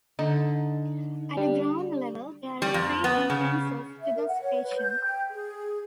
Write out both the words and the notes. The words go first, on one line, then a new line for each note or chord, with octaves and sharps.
At ground level, there are three entrances to the station.
D3 D#4
G3 D4
G3
F2
B3
C#3
E5
A#4
F#5
C#5
B4
G6
G5
G#4